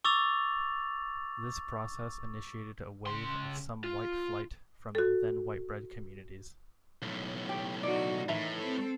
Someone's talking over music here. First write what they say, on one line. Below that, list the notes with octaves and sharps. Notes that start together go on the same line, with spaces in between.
This process initiated a wave of some "white flight" from then white-bread communities.
C#6 D6 E6 A6 F7
C#3 C6
F4
F#4 A4
B1 A2
G4
D#4 F#4 D5
A2 D#3 E3 B4 E5 A#5
C4 A4